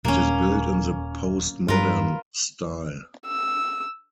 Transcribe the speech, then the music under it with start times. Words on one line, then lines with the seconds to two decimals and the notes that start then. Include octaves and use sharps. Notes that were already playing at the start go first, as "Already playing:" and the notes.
It is built in the postmodern style.
0.05 D#1 A#3 C#4
1.68 G2 F4 A#4 B4
3.26 E6